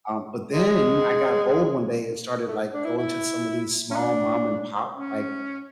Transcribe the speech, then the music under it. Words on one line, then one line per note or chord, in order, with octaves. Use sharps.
um, but then I got bold one day and started, like, going to some of these small mom and pop, like
G#3
A3
D4
E4
E4
C#4
D4
C#4